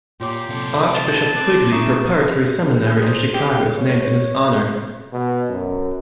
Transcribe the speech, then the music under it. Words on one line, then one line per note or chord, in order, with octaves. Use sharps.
Archbishop Quigley Preparatory Seminary in Chicago is named in his honor.
A#2 F4 G4 C#5 C6 D6
C3 A4
A5
C4 D6 F#6
D#4 E5 C#6 D#6 E7
G#4 A4
D#4 C5 D5
C4 G4
C#5
B2
F#2